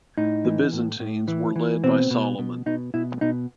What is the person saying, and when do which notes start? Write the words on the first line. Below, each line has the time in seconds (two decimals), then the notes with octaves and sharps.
The Byzantines were led by Solomon.
0.18 A2 D#4
0.45 E3
0.73 A2
1.00 A2
1.28 E3
1.56 E3
1.83 B2 C4
2.11 B2
2.39 B2
2.66 B2 D#4
2.94 B2 E4
3.21 B2 D#4